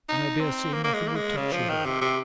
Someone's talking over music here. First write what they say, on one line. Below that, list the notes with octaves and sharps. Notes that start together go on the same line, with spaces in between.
And I dare say nothing will touch you there.
D#4
C4
A#3
A#3
G#3
A#3
G#3
C#3
F3
D#3
C3
C3